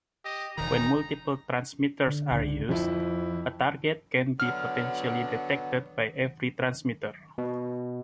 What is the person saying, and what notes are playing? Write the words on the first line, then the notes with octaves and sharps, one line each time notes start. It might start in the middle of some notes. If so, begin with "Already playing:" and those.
When multiple transmitters are used, a target can be potentially detected by every transmitter.
G4 D#5
E1 D#3 D#4 A#5
D3
C#2 D3
F2 F3 E4
D3 F#3 B3 F6
B2